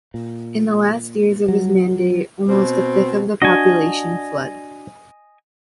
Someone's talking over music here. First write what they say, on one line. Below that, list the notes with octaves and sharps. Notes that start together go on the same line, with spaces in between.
In the last years of his mandate, almost a fifth of the population fled.
A#2
F#3
B2 C4
D4 F#4 D#5 G#5